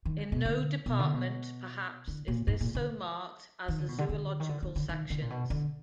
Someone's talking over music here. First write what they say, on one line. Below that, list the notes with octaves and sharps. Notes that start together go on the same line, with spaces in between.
In no department perhaps is this so marked as the zoological sections.
D#3
D3
B2
D3
B2
D3
B2
D3
A#2
G#2
A#2
D3
D#3
D3
B2
D3
D3
D#3
D3
D#3
D3
D#3
D3
A#2
B2
D3